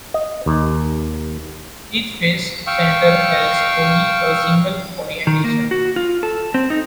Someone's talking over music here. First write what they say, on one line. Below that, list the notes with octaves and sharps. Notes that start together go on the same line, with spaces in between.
Each face center has only a single orientation.
D#5
D#2
F5 G5 C#6 E6
D#3
A#3
F#4
F4
A4
C4
D#4